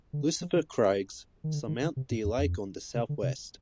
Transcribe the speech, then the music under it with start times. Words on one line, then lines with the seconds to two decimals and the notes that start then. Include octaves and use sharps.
Lucifer Crags surmount the lake on the southwest.
0.13 D3
0.41 F3
0.56 D#3
1.44 D#3
1.54 D3
1.68 D#3
1.82 D3
1.96 C3
2.11 A2
2.25 F2
2.38 F2
2.95 C3
3.09 D3
3.23 C3